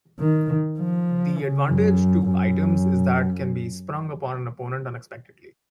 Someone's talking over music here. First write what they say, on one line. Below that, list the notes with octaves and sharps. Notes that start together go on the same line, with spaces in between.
The advantage to Items is that can be sprung upon an opponent unexpectedly.
D#3
F3
C#3
F#2
F#2